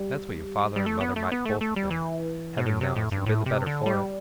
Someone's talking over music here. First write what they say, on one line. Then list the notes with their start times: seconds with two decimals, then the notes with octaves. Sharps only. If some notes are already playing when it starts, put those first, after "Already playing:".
That's what your father and mother might both have been, Heaven knows, and been the better for it.'
Already playing: G3
0.76 G3
0.86 A3
1.01 B3
1.16 A3
1.32 B3
1.45 A3
1.61 A3
1.76 G3
1.90 E3
2.58 B2
2.66 A2
2.81 C3
2.96 A2
3.11 G2
3.26 A2
3.46 C3
3.66 D3
3.86 G3